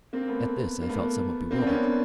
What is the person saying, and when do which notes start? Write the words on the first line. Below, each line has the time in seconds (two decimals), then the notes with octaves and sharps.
At this I felt somewhat bewildered.
0.13 A#3 C4
0.28 A3 B3
0.82 A#3
0.89 A3 B3
1.51 A#3 C4
1.62 D4
1.66 B3 C#4